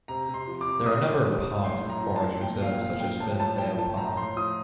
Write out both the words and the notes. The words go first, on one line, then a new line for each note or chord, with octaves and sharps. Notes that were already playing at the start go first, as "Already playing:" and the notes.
There are a number of parks and forest reserves such as Ferndale Park.
C3 A#5
C3
C6
F3
D6
F3
A2 D#6
A2
G3
G3
A2 C6
A2
A#5
F3
A5
F3
A#2 G5
A#2 F5
F3 F5
F3 G5
A2 A5
A2 A5
F3 G5
F3 A5
A2 A#5
A2 C6
F3 D#6